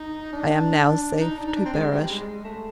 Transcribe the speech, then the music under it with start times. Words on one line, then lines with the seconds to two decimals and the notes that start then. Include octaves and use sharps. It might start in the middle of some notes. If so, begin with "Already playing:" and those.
I am now safe to perish.
Already playing: D#4
0.33 D4
1.02 D4
1.21 D#4
1.38 D4
1.47 D#4
1.56 D4
1.65 C4
1.74 G#3
1.91 G3
2.09 G#3
2.44 A3